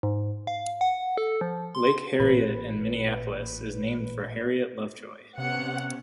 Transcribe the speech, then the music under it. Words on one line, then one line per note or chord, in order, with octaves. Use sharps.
Lake Harriet in Minneapolis is named for Harriet Lovejoy.
G#2
F5
F#5
A4
F3
C6
A1 A#2 B4
C3 B3 C#4 F#5